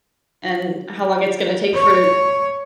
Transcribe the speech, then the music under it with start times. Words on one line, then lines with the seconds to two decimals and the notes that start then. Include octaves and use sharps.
and how long it's gonna take for
1.74 C#5